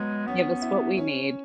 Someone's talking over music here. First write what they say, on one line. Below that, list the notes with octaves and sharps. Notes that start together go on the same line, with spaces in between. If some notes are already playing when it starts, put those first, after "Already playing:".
give us what we need.
Already playing: F#3 G#3 B3
B3 C#4
E4
C#4